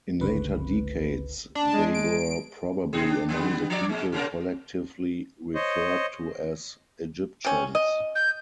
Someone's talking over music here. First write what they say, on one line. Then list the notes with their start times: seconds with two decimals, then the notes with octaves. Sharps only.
In later decades, they were probably among the people collectively referred to as "Egyptians".
0.21 G1 C#2 D3 B4
1.55 D4
1.73 G#3
1.95 D7
2.93 B2 G#4
3.10 D4
3.29 D3 G3 B3
3.70 F3 D5
3.89 A#2 G#3
4.12 A#2 C#3 A#4
5.55 C5 C#5 D#5
7.45 C3 C#4
7.75 D#5
8.15 G6